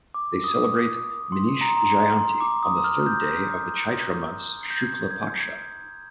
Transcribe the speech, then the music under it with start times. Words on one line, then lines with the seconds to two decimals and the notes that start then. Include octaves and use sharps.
They celebrate Meenesh Jayanti on the third day of the Chaitra month's Shukla paksha.
0.14 D6
0.44 D#6
1.32 C6
1.61 A#5
1.69 C6
1.77 A#5
1.90 A#5
2.19 C6
2.41 D6
2.63 D#6
2.84 F6
3.06 G6
4.70 G6
4.81 G#6
5.11 G#6
5.40 G#6